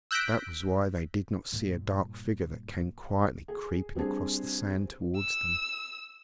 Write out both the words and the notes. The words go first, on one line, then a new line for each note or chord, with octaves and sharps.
That was why they did not see a dark figure that came quietly creeping across the sand towards them.
E6 F#6 G6 A#6 B6 D7
G2 A#2
G#4
G3 C4 D4 G#4
E6